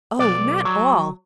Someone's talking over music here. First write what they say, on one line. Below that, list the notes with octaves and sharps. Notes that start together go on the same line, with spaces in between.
'Oh, not all!
B1 D5
F#3